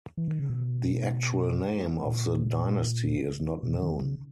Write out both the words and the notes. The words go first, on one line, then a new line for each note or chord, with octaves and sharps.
The actual name of the dynasty is not known.
E3
D#3
C#3
B2
A#2
B2
D#3
C#3